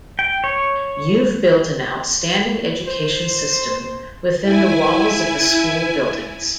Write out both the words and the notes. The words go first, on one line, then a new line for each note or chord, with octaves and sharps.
You've built an outstanding education system within the walls of the school buildings.
G5
C#5
C5
E4 G#5